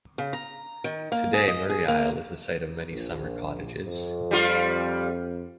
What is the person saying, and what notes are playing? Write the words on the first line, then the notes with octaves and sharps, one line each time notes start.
Today Murray Isle is the site of many summer cottages.
C#3
A#5
D#3
A#3
G#4
D#5
G#4
A#3
A#1
F2
G3 F4